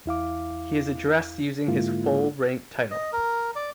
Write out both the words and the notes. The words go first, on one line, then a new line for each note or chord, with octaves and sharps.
He is addressed using his full rank title.
E2 E4 F5 D6
G#2 D3 G#3 A#3 E4 F4
D#5
A#4
D5